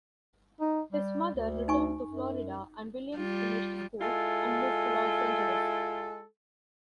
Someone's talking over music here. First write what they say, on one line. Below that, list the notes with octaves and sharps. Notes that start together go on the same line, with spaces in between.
His mother returned to Florida, and Williams finished school and moved to Los Angeles.
D#4
G3
D2
D#4 G#5 C#6
F#2
G3 F4
G#3 E4 F4 A4